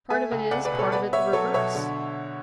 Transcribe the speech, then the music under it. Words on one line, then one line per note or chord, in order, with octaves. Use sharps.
"Part of it is, part of it the reverse."
A3 E5 G#5
C#2
C#2 D5 F#5
B4 D5
B2
A4 C#5
B3 B4 D5
B3 C#5 E5
F#3 A4 C#5
B2 C#5 E5
D3